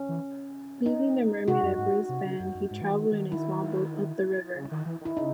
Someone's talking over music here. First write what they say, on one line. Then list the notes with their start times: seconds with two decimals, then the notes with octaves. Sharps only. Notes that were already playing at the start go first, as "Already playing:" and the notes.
Leaving the "Mermaid" at Brisbane, he travelled in a small boat up the river.
Already playing: C#4
0.09 E3
0.86 D#4
1.48 C3 F#4
1.63 F#2
1.78 G#2
2.09 C3
2.25 C#3
2.40 F#2
2.55 F#2
2.71 G#2
2.81 E3
2.91 D#3
3.11 D#3
3.32 E4
4.55 C#3
4.71 D#3
4.86 E3
5.01 D#3 E4
5.17 C#3 D#4